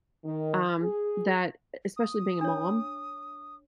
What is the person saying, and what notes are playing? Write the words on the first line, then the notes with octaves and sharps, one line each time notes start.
um, that, e especially being a mom,
D#3
G#4
D#6
D4 C#5